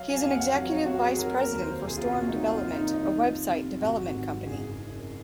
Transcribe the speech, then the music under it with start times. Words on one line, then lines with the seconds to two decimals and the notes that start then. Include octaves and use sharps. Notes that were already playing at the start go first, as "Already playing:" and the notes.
He is an Executive Vice President for Storm Development, a website development company.
Already playing: F#3 F5
0.09 G#5
0.20 F2 F5
0.31 F#5
0.53 F#3 F5
0.69 C#5
0.85 F2 F#4
1.02 G#4
1.18 F#3 A#4
1.41 A#4
1.51 D#2
1.62 C5
1.84 C2 G#4
1.97 F4
2.06 F#4
2.17 A#2
2.28 D#4
2.50 F2 F4
2.72 D#4
2.83 D#3
2.94 D#4
3.15 F2 F4
3.49 C3
3.81 G#1 F#4
4.14 G#2
4.47 F#1 G#4
4.80 F#2